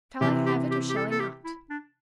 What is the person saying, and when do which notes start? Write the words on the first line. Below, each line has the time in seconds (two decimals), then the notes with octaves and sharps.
"Shall I have it, or shall I not?"
0.21 C3 E3 G4
0.46 G4
0.71 G4
0.89 G4
0.96 A4
1.11 A4
1.20 G4
1.44 E4
1.70 D4